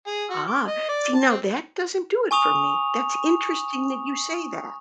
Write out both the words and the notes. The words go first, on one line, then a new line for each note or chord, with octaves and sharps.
Ah, see, now that doesn't do it for me. That's interesting that you say that.
G#4
F#4
D6
D#5
D5
A5
C4
G#5 C#6 D#6 F7